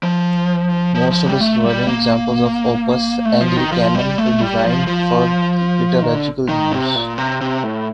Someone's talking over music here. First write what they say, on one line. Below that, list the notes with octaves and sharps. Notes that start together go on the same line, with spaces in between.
Most of the surviving examples of Opus Anglicanum were designed for liturgical use.
F3
F3
F3
G3
A3
G3
A#3
A3
F3
D#3
F3
G3
A3
G3
F3
F3
D#3
D3
D#3
C3
A#2
C3
C3
A2